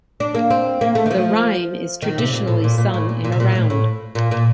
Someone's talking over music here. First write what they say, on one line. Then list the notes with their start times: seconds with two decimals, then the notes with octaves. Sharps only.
The rhyme is traditionally sung in a round.
0.20 D4
0.35 A#3
0.51 C4
0.81 A#3
0.95 A3
1.06 D#3
1.11 F3
2.02 D#3
2.18 C3
2.33 A#2
2.48 A2
2.64 A#2
2.78 A#2
2.94 A2
3.09 A#2
3.24 A#2
3.32 C3
3.40 A#2
3.55 A2
3.70 A2
4.15 A#2
4.31 A#2